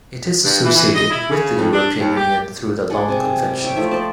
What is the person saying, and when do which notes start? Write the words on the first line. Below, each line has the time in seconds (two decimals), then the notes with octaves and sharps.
It is associated with the European Union through the Lome Convention.
0.44 G2
0.64 E3
0.75 E3
0.95 D#5
1.10 E4
1.30 C#3
1.57 F2
1.73 D4
1.98 D#2
2.16 G4
2.90 D4 G#4 F#5
3.08 C3 G#5
3.43 G3
3.63 C#5 E5 G5
3.76 F3 A3 F4 E5
3.91 C5 D5 A5